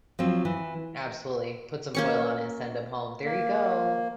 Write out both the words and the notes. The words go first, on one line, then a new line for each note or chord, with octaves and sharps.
Absolutely. Put some foil on it and send them home. There you go.
F3 F#3 C4
E3
A#3 C#4 C#6
A#3